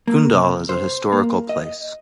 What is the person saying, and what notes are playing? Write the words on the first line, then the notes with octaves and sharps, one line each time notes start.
Kundal is a historical place.
A#3
C3
C5
A#3
D#5